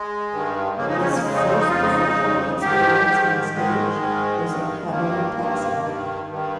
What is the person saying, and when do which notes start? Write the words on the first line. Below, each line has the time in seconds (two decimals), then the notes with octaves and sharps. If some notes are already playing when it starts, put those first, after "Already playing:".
His first professional experience on stage was at Cabaret Taksim.
Already playing: G#3
0.32 G2 D#3
0.77 F2 C#3 A#3
0.89 D#4
1.00 C#4
1.12 A#3
1.23 F2 C#3 G#3
1.34 D#4
1.46 C4
1.57 D#4
1.69 F2 C#3 F4
1.81 D#4
2.15 F2 C#3
2.60 G#2 D#3 G4
3.07 G#2 D#3
3.53 G#2 D#3 G#3
3.99 G#2 D#3
4.44 D#3
4.49 G2
4.90 G2 D#3 A#3
5.36 G2 D#3
5.83 G2 D#3
6.28 G2 D#3